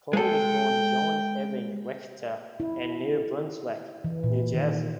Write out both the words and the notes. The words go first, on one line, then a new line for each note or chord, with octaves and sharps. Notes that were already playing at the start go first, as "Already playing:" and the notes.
Cole was born John Ewing Richter in New Brunswick, New Jersey.
G#3 A4 G5
E4
E3
A#2
D#3